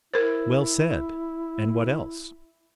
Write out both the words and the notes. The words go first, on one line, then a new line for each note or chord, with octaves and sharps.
'Well said; and what else?
E4 A#4 C5